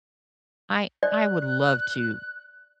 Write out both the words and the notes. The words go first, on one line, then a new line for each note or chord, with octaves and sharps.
I I would love to,
D5 F#6